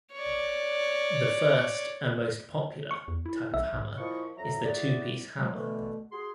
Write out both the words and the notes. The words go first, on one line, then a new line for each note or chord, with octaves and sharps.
The first, and most popular, type of hammer is the two piece hammer.
C#5 D5
C#6
E2
E4
B1 E5
G#2
A#2 F3 E4 D#5 C#6
F2 F#3 E5 A#5
E4 F#4 G#4 D5
F3 F#3 G#3
B2 D3 E3 A3
F#4 G#4 C6